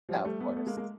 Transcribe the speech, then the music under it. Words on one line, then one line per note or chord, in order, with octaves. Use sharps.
Yeah, of course.
F3 G3
G3 A3
A3 B3
A3 B3
G#3 A#3
G#3 A#3